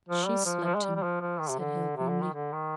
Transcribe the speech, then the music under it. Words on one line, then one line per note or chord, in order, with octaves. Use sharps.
"She slapped him," said Hale grimly.
F3
G3
F3
F3
G#3
G3
G3
F3
F3
D#3
C3
D3
C3
D3
D#3
D3
D#3